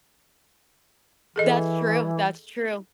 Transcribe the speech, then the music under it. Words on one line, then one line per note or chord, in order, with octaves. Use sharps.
That's true, that's true.
E3 G#4 A4 D#5